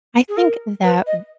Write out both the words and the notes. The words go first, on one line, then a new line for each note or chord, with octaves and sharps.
I think that, w
G#4
A#4
B4
D#5